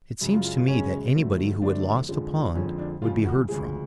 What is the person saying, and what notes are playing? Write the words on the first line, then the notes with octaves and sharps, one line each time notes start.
It seems to me that anybody who had lost a pond would be heard from.
F#2 C#3 G#3
F4
F4
F4
F#2 C#3 G#3 C#4
F2 D3 F#3 A3
F2 D3 F#3 A3 D4
F2 D3 F3 G#3
F2 D3 F3 G#3 C#4
D4
D2 C#3 F3 G#3 F4
F#4
D2 C#3 F3 G#3 G#4